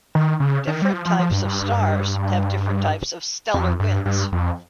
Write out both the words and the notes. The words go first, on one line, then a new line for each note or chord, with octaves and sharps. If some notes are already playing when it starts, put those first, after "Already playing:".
Different types of stars have different types of stellar winds.
D#3
C#3
D#3
G3
F3
F3
F3
G2
G2
F2
G2
G2
F2